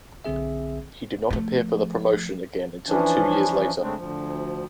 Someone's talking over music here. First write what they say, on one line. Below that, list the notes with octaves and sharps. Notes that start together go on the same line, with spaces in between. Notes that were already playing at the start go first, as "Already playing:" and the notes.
He did not appear for the promotion again until two years later.
B1 D3 C4 G#4 E5
F3 A3
E3 F3 C#4 D4
C#3 G#3 A3 C4 D4
D2 F3